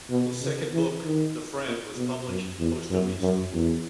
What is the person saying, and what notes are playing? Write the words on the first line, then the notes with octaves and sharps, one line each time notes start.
His second book, "The Friend", was published posthumously.
B2
C#3
E3
D#3
A#2
B2
F#2
E2
F#2
F#2
E2